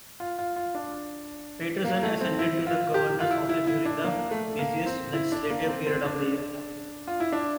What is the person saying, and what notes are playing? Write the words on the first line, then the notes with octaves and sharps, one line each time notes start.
Paterson ascended to the governor's office during the busiest legislative period of the year.
F4
F4
F4
D4
A#3
A3
C4
E4
F4
G4
F4
E4
E4
E4
D4
A#3
A3
A#3
C4
E4
D4
A#3
C4
C4
D4
F4
E4
D4